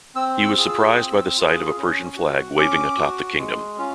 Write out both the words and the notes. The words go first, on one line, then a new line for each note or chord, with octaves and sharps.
He was surprised by the sight of a Persian flag waving atop the kingdom.
C4 E6
E6
F4 G#4
E6
C4
F4 G#4
C#4
F#4
C#4 D6
F#4
G#3
C#4 F4